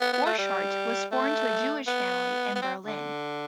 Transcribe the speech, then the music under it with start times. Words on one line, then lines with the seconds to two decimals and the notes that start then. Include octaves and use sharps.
Borchardt was born to a Jewish family in Berlin.
0.01 B3
0.13 B3
0.26 A3
0.38 G3
1.11 A3
1.87 B3
2.55 B3
2.62 C4
2.86 D3